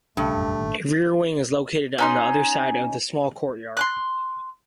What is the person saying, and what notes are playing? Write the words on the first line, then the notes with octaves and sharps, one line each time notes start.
A rear wing is located on the other side of the small courtyard.
B1 G2 C#3 A3
E1 A1 F#2
G#1 A#2 D#3
C#4 D#4 C6
C6 D6 F#6